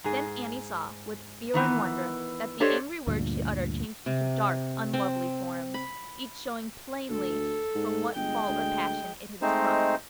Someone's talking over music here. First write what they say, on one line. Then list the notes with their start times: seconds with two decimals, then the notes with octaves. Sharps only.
Then Annie saw, with fear and wonder, that the angry words she uttered changed to dark, unlovely forms, each showing plainly from what fault or passion it had sprung.
0.04 G#2 G#4
1.54 D#3 E3 B3
2.60 D4 G4 A4 C5 C#5 D#5
3.07 D2 G2 A#2
4.06 C3
4.93 C4
5.74 B5
7.10 D2 A4
7.75 G#2
8.15 G1 G#3 G5
8.48 D2
9.42 G#3 A3 C4 D#4 C5